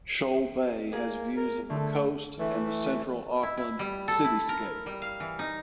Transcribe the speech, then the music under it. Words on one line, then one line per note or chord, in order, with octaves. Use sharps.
Shoal Bay has views of the coast and the central Auckland cityscape.
A#3 G#4
A#4
D3 A3
E3 A3
E4
E4
G3
A4
E4
A#4
G3
F5
E3
D#4